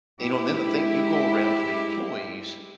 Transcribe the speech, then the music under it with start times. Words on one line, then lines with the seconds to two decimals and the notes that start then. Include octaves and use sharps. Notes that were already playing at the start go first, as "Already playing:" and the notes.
You know? And then the thing you go around to the employees
0.20 G#3 E4 G4